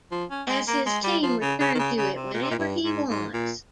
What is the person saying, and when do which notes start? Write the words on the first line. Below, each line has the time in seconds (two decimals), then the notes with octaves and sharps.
As his team return to it whenever he wants.
0.12 F3
0.30 C#4
0.49 G#3
0.68 A#3
0.86 G#3
1.04 G3
1.23 F3
1.42 C#3
1.60 C#3
1.74 D#3
1.79 C#3
1.97 C#3
2.16 C3
2.34 A#2
2.43 C3
2.51 A#2
2.59 G2
2.84 G#2
3.08 G#2
3.33 A#2